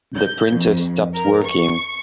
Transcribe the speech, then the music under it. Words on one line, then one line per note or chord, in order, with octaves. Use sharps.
The printer stopped working.
G6
F2
A#4
C#6